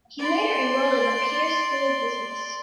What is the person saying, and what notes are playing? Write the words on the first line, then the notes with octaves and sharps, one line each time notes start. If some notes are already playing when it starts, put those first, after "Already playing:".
He later enrolled at the Peirce School of Business.
D5 C6